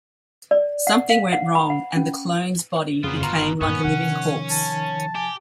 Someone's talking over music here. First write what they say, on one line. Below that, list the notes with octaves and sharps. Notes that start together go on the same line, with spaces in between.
Something went wrong and the clone's body became like a living corpse.
D5
F#5
F5
F#5
B5
F#5
C#4
F2 A#2 C#3 B3 F4
G1 B2 F4 A#5
G2 A#2 D#3 B3 C#4
C3 F3 F#5
A5
G4 G#5